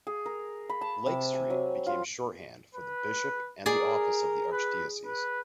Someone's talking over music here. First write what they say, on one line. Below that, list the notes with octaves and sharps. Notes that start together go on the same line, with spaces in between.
"Lake Street" became shorthand for the Bishop and the office of the Archdiocese.
G#4
A#4
B5
A5
C3
G#5
F#3
F4
B4
G#4 A#4 D5
B4
B4